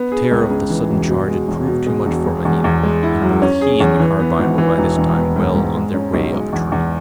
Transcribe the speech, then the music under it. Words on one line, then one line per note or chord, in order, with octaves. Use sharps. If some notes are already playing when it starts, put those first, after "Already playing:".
The terror of the sudden charge had proved too much for Mahina, and both he and the carbine were by this time well on their way up a tree.
Already playing: B3
G#4
C#2
C#3
E3
E1
B2
G#3
E1
B2
G#3
E1
G#3
E2
E2
G#3
E4
F#2
C#4
G#4
E2
E3
B3
G#1
E3
E1
E1
B3
G#2
G#2
G#3
C#4
B1
G#3
E2
E2